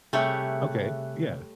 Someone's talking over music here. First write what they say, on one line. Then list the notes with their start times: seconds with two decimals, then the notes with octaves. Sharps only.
Okay. Yeah.
0.13 C3 G3 A3 G#4 C#5 E5 F#6